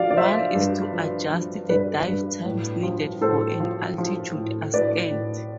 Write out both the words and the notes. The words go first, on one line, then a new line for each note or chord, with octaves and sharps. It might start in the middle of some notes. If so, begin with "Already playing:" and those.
One is to adjust the dive times needed for an altitude ascent.
Already playing: F3 D5 F5
D5
F3 C5 E5
G2
F3
F3
G2 B4 D5
G2
A2
F3
A2 A4 C5
F3
F3
A2
A2 B4 D5
A2